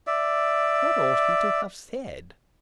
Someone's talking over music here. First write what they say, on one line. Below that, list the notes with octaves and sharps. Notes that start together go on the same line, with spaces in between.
What ought he to have SAID?
D5 E5